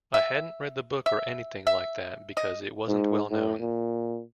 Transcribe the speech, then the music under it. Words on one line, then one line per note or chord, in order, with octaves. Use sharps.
I hadn't read the book or anything like that because it wasn't well-known.
E5
E5
E5
D#5
G#2
A2
A#2